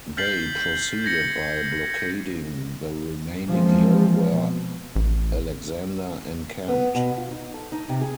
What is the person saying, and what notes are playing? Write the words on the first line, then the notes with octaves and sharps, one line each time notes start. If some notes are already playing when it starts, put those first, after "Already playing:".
They proceeded by blockading the remaining hill were Alexander encamped.
F6 G6 A6 B6 C7 F#7
G#6 A#6 C#7
E3 F3 G#3 A#3 C4
B2
A1
B3
B2
F4
D#4
A4
D#4
C3
G#4